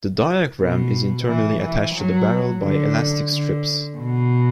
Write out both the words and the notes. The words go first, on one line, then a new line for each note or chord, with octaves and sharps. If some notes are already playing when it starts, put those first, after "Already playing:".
The diaphragm is internally attached to the barrel by elastic strips.
B2
E3
E3
F#3
D3
D3
B2